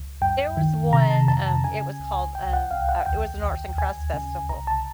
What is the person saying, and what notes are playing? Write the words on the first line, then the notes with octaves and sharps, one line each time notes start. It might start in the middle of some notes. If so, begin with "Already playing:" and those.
There was one, um, it was called, um uh, it was an Arts and Crafts festival,
Already playing: C#2
F#2 G5
D#3
C3 A#5
A5
F2 A5
A5
C#3 G#5
C#2
C2 G5
F#5
C2 F5
F#5
D#2 G5
D#2
D2 G#5
C#3
C2 A#5
A5